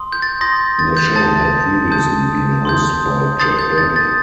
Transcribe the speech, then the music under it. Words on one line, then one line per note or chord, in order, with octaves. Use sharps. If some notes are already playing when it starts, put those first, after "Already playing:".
The show had previously been hosted by Jack Benny.
Already playing: C6 D#6
G6
A6
C6 D#6 G6 A#6
A6
G6
A5 D#6 G6 A6
A5 D#6 G6
C6 D#6 G6
C6 D#6 G6 A6
G6
A6
A6